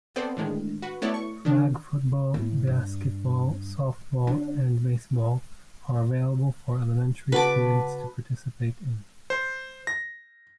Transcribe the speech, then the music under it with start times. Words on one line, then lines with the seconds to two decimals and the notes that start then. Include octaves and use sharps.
Flag football, basketball, softball, and baseball are available for elementary students to participate in.
0.16 B3 C4 A4 C5 D5
0.37 A2 D3 D#3 G#3
0.82 F#4 B4
1.02 A3 B3 E4 A4 C#5 D5
1.14 C#6
1.45 D#3 D4
2.34 A2
2.67 G2
4.27 D3
7.32 C#3 F#4 B4 A5 D6
9.30 C5
9.87 A#6